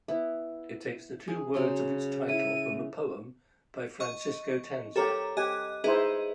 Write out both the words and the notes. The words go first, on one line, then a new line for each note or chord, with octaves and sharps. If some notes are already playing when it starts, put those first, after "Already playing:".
It takes the two words of its title from a poem by Francisco Tanzer.
B3 E4
G#4
C#3 F#3 C6
E4 D#7
D#5 C#6
G4 A4 A#4 C#5 A#5
G4 D#5 G#5 F#6
D#4 E4 G#4 B4 C5 D#5